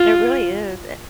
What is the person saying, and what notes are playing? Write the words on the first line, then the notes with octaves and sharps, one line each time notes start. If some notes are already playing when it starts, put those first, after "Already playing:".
It really is, de
Already playing: F4